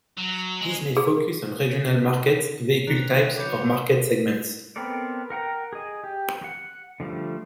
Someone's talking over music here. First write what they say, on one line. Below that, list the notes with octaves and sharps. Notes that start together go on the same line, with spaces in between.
These may focus on regional markets, vehicle types, or market segments.
F#3
G#3
G#4
D#3 D4 G4 C5 F#6 D7 F7
F#3 B4 D#5 D6 G6 C#7
B3 C4 A4 A#4 D5
A#4 F#5 G5 A#5
G#4 D#5
G4
F#5
D3 F3 G3 A3